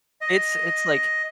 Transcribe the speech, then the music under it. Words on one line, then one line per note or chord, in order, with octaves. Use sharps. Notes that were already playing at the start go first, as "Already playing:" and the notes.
It's it's, like,
D#5